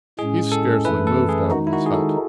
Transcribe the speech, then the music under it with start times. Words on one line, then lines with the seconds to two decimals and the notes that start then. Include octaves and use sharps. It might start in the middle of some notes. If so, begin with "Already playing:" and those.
He scarcely moved out of his hut.
0.19 A2 G#3 C#4 G#4
0.52 A4
0.85 F#2 E3 A3 B4
1.07 A4
1.29 G#4
1.51 D#3 G#3 D#4 F#4
1.67 E4
1.73 F#4
1.86 G#4
1.94 A4